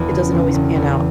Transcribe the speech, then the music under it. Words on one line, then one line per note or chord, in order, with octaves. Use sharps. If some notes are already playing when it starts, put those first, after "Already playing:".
it doesn't always pan out
Already playing: E1 E2
C#3
E1
E1
E2